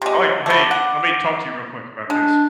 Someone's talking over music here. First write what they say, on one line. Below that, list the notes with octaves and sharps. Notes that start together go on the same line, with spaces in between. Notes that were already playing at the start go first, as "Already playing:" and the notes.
I like, "Hey, let me talk to you real quick about this.
C3 G#3 G4
A3 B3 D6
F#5
G#3 D4